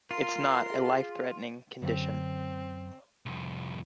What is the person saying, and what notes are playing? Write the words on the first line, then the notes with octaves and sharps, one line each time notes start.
It is not a life-threatening condition.
F4 A#4 C6
G#4 F5
F#2 D3 C4
C2 F2